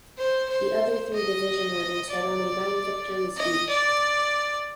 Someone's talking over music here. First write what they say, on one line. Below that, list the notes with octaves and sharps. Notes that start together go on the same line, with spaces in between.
The other three division winners had only nine victories each.
C5
C5
D#5
D5
D#5
D5